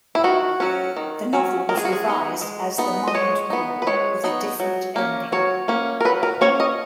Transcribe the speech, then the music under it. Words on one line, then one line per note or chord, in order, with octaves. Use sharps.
The novel was revised as "The Mind Pool" with a different ending.
E4
D#3 F#4
F#3 C#4
D#3
F#3 C#4
G#3 A#4
G#4
F#4
G#4
B3 D#4
G#3
B3 D#4
D#5
G#3 C#5
B3 D#4
B4
G#3 C#5
B3 D#4
F#3
A#3 C#4
F#3 C#5
A#3 C#4
A#4
F#3 B4
A#4
A#3 C#4 C#5
D#5